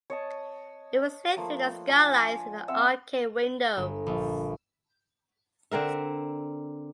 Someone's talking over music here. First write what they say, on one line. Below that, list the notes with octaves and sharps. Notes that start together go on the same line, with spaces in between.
It was lit through the skylights in the arcade windows.
C#5 D#5 A5
F3 A3 A#3 B4
D4 G#5 A5
C4 E5 F#5 B5
G1
A#1
D3 C4 A#4 E5